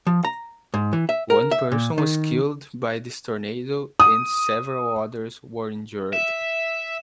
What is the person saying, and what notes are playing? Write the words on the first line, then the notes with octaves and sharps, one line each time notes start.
One person was killed by this tornado, and several others were injured.
F3
A#5
G#2
E3
E5
A#4
E5
A#2
D#3
D#6
E5 E7